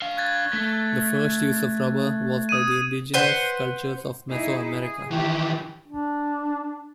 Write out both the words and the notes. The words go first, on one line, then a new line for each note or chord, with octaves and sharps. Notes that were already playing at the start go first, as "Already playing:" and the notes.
The first use of rubber was by the indigenous cultures of Mesoamerica.
D4 F5
F#6 G#6 A6
A3
D#6 G#6 D#7
B4 C5 F#5
D#4 E4 G#4
G#4
D#3 E3 G4
D4